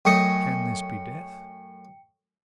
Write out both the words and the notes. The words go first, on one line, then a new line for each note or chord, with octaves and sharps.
'Can this be death?
F#2 A3 D#5 G5 C#7